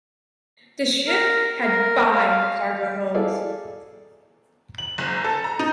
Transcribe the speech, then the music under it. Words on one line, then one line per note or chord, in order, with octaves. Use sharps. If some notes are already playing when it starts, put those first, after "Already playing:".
The ship had five cargo holds.
A#4
A#4
F5
E4 G#4 A4 D5 F5
F#7
F#1
A4
A#5
D#4